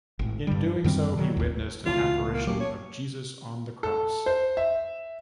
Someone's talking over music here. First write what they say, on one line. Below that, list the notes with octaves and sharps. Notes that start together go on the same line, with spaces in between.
In doing so, he witnessed an apparition of Jesus on the cross.
G#1 A2
G2 G3
F#2 D#3 G3 C4
D#3 F#3
A1 D#2
C#2 B2 E3 F4
A#3
F#3 A3 C#4 G4
C#5
A4
C5
E5